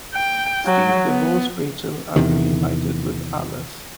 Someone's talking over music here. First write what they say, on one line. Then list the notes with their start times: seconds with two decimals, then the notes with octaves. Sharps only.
Steve divorced Rachel and reunited with Alice.
0.15 G5
0.65 F#3
1.06 B3
2.16 E2 C3 D#3